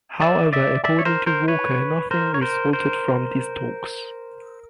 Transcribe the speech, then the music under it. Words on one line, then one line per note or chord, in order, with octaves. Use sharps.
However, according to Walker, nothing resulted from these talks.
D5 E5
D5 E5
D5 E5
C#5
A#4 C5
A#4 C5
B4 C#5
A#4 C5
C#5
A#4 C5
A#4 C5